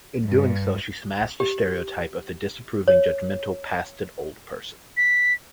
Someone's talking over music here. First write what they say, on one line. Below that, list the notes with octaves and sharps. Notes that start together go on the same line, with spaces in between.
In doing so she smashed the stereotype of the disapproving, judgmental, past-it, old person.
G2
G4
C#5
B6